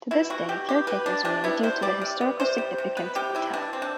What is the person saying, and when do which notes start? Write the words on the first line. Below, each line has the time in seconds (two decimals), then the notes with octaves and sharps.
To this day, caretakers remain due to the historical significance of the town.
0.11 B2 E4
0.30 G3 F#4
0.49 B2 G4
0.69 B3 G4
0.87 B2 B4
1.06 G3 D4
1.25 C3 D4
1.44 B3 E4
1.63 C3 C5
1.82 G3 D5
2.01 C3
2.21 B3
2.40 C3 C5
2.58 G3
2.78 C3
2.97 B3 B4
3.15 C3 G4
3.35 G3 E4
3.53 B2 D4
3.73 C4
3.82 D4